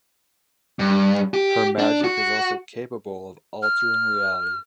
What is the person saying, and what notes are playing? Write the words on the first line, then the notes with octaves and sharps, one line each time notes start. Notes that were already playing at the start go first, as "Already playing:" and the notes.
Her magic is also capable of altering reality.
G2
G4
D4
F#4
F6